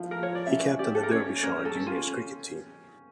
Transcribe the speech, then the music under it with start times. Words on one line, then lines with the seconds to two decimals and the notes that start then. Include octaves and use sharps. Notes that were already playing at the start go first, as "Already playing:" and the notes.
He captained the Derbyshire Juniors Cricket Team.
Already playing: F3 E4
0.11 F3 A#4
0.23 C#5
0.35 D5
0.46 C#4 E5
0.79 G4 D5
0.95 A4
1.03 A#4
1.11 C#4 C#5
1.43 C#4 A#4
1.65 A4
1.75 C#4
1.87 F4